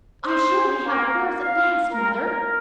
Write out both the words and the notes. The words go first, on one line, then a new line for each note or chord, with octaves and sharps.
"I surely have a horse at last, mother."
C5
A#3
F5
A#4
A#4